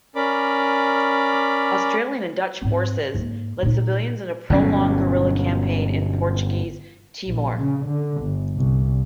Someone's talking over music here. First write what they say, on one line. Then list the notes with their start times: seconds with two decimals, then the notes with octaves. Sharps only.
Australian and Dutch forces led civilians in a prolonged guerilla campaign in Portuguese Timor.
0.16 C#4 A#4 D5 B5 D6
2.61 G#2 C4
3.15 G#2 A#3
3.63 A#2 D#4
4.50 G1 B2 F#3 C#4
7.26 A#1
7.58 C#3
7.87 D3
8.22 G1
8.55 C2